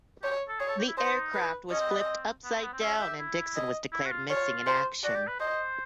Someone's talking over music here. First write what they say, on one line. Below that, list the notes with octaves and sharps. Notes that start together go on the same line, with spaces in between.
The aircraft was flipped upside down and Dickson was declared missing in action.
G4 C#5
A4
G#4 C#5
A4
G4
E4
D#4 C5
B4
C#4 D#5
C4
B3
C4
B3
C4
B3
C4
C#4 E5
G4
E4
D#5
E4
F#4
F4
F4 C#5
C5
F#4 D5
G4
B4
C5 D#5